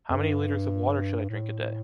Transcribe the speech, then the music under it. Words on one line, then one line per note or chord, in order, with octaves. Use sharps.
How many liters of water should I drink a day?
F2
G2
A2